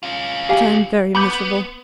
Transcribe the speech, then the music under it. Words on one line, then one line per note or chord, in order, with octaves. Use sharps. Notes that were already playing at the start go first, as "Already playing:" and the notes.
But I am very miserable!
C#4 F4
G4 F5 G#5
B3 B5 D6 G6